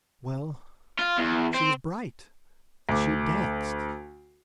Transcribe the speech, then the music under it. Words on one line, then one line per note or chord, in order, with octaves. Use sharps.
Well, she was bright; and she danced.
F4
E2
C4
D2 D6